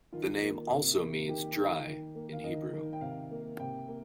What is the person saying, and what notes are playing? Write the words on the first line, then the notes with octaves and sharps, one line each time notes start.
The name also means "dry" in Hebrew.
D#3 F4
A#3
C3
A#3
D#3 G4
D#3
D#3
A#3
F5
D#3 D#5
D#3
G5
C3 F5
A#3
C3 G5
A#3